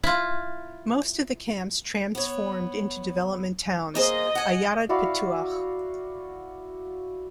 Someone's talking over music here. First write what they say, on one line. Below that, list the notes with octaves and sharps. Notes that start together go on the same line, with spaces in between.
Most of the camps transformed into Development Towns - "Ayarat Pitu'ach".
E4 F4
B3 C#5
A#3 G#4 C5 D#5
F#5 G#5
E4 F#4 D5 F5